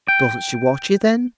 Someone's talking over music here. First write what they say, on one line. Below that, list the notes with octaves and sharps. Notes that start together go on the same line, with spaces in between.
"Doesn't she watch you, then?"
G5